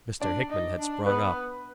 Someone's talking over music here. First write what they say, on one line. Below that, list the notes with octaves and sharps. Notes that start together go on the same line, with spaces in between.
Mr. Hickman had sprung up.
D4 D5
D#4
D4
B3 B4